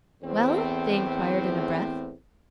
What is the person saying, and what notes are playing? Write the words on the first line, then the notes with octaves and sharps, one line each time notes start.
"Well?" they inquired in a breath.
E2 A2 C4